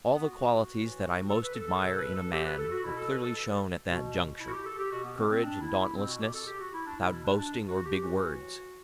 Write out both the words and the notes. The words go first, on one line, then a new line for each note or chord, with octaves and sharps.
All the qualities that I most admire in a man were clearly shown at that juncture: courage and dauntlessness, without boasting or big words.
B3
F#4
A2 E3
A4
B4
A4
A4
B2 A4
B4
A4
G4
B4
A4
F#4
B2 E4
A4
B4
A4
B2
E4
F#4
G4
A4
G4
B2 F#4
B3
C4
C4
D4
E4
E4
B2 C4
F#4
G4
A4
G4
F#4
E4
D4
B2 E4
E4
D4
D4
F#4
G4
A2 E3 F#4